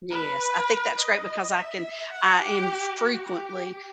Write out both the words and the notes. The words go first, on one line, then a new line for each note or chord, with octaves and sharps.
Yes, I think that's great because I can I am fr frequently,
B4
D#5
E5
F#5
G4
F#4
G4